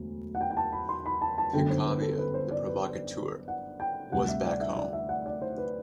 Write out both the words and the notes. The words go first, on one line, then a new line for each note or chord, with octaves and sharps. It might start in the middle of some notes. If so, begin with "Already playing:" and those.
Picabia, the provocateur, was back home.
Already playing: E1 D2 F#3
F#5
G5
G5
A5
B5
C6
B5
A5
A5
G1 F#2 D3 A3 G5
C5
B4
A4
B4
C5
D5
B4
F#5
G5
D2 C3 G3 F#5
E5
D5
E5
D5
E5
F#5
D5
C5
B4